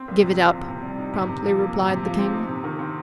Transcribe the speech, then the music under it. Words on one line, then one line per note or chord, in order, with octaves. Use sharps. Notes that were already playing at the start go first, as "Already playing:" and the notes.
"Give it up," promptly replied the King.
Already playing: C4
C2
C3
F3
C3
C3
G3
D#4
C3
C3
F3
A#3
C3
C3
F3
C4
D#4
C3
D#3
C4